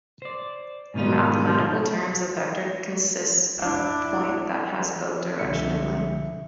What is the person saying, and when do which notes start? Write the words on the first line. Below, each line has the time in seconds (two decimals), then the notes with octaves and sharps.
In mathematical terms, a vector consists of point that has both direction and length.
0.22 C5 D5
0.94 G#2 B2 D#3 D#4 F4
3.59 D4 E4
5.39 C2 B2 D3 F3 E5 C#7